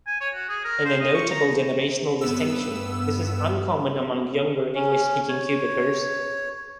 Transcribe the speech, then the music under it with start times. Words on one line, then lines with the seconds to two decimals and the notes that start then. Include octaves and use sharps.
In a notable generational distinction, this is uncommon among younger English-speaking Quebecers.
0.07 G#5
0.21 C#5
0.34 F#4
0.49 G#4
0.65 A#4
0.85 C5
1.00 D#5
1.15 C#6
1.31 A#5
2.21 G2 B3 E6
4.75 C#4
5.28 C#5